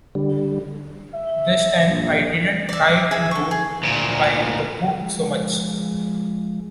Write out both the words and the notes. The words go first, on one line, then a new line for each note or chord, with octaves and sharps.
This time I didn't try to go by the book so much.
D3 G3
E5
A#1
D5 E5
G#4 E5 G#5
A4 C#6
G#4
D2 A#2
F3 G#3